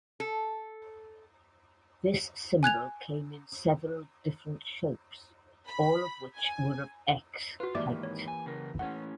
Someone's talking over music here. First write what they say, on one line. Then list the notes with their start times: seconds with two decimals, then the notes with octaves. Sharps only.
This symbol came in several different shapes, all of which were of x-height.
0.20 A4
2.63 G#5 F#6 G#6 F7
5.68 B5
6.36 G#5
7.60 F4 F#4 B4
7.75 G#2 D#3 E3 A#3 G4 D5 E5 D6
8.03 C#5
8.28 G#5
8.46 C#3 A#4
8.79 A2 A3 C#4 F#5